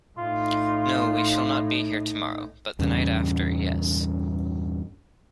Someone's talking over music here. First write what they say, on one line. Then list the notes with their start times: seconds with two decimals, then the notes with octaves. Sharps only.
No, we shall not be here tomorrow; but the night after — yes.
0.18 A2 D#4 F4
2.79 E2 G2 A#2 C#3